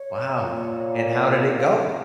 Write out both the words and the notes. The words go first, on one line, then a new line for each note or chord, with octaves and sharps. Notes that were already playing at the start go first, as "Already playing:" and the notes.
Wow. And how did it go?
Already playing: C#5
A#2
D#5
C#5
D#5
F5
C#5
D#5